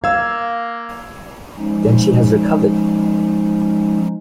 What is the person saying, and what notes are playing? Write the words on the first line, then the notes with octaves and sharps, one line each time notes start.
Then she has recovered!
A#3 F5 E6 G#6
F3 G#3 C#4 D#4